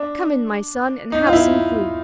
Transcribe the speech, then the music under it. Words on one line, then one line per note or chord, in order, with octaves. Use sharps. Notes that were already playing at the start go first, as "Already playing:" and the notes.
'Come in, my son, and have some food.
Already playing: D4
D#4
F4
E4